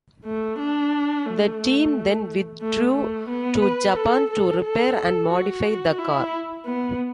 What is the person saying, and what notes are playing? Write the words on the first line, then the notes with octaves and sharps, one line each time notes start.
The team then withdrew to Japan to repair and modify the car.
A3
D4
A3
A3
A3
B3
B4
A4
A4
A4
A4
F#4
E4
B3